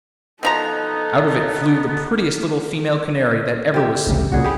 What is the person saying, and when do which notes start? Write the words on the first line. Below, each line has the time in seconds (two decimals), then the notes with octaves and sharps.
Out of it flew the prettiest little female canary that ever was seen.
0.43 B2 F3 B3 D#4 A4 A#5
3.74 C3 G4 E5
4.06 A1 D2 C#3
4.32 C2 A#2 C#3 F#4 G#4
4.44 A3 E4 G4 G#4